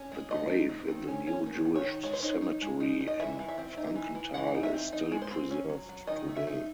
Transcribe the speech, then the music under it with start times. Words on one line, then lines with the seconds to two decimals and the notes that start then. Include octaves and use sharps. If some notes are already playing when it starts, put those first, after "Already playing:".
The grave in the new Jewish cemetery in Frankenthal is still preserved today.
Already playing: C#4
0.12 G#3
0.31 A3 D#5
0.50 D#4
0.69 C4
0.88 D#3
1.07 C#4
1.27 C#4
1.46 D#3
1.65 D#3
1.75 C#5
1.85 D#3
2.03 G#3 C#5
2.13 C5
2.23 D#4 C#5
2.42 D#4
2.61 G#3
2.80 D#4
3.00 D#4
3.07 D#5
3.20 E3 E5
3.39 E3
3.48 E5
3.58 C4
3.77 D#4
3.96 E3
4.15 E3
4.34 E3 F#5
4.54 D#4
4.63 E5
4.73 C4
4.92 D#4 D#5
5.12 G#3
5.22 C5
5.31 C4
5.50 C#4
5.69 F#3
5.89 F#3
6.07 D#3 D#5
6.28 A3
6.36 E5
6.47 D#4